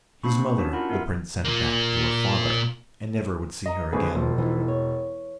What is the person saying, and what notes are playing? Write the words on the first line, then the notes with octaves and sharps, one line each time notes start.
His mother the prince sent back to her father, and never would see her again.
A#3 C4 D4 B5 C#6
C#4 D4 E4 F#4
E4 F4 A#4 F#5 B5
B3 A#4 E5
A#2 A#3
D#5 A#5
G#1 D3 G#4 B4
E1 F3 C5
E3 F3 D#4
C#5